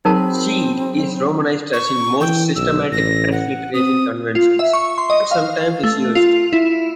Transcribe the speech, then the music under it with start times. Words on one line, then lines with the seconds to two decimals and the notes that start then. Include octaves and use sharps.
Chi is romanized as in most systematic transliteration conventions, but sometimes is used.
0.05 F#3 C4 D#4 G#4 A#4 A5 B5
1.73 C#6
2.20 E3 G5
2.56 B1 E6
2.92 A1 A#6
3.32 F#5
3.74 C4 D#6
4.35 F4
4.59 E5
4.73 C#6
4.98 C6
5.10 D#5
5.31 F5
5.84 A3
6.15 F4
6.53 E4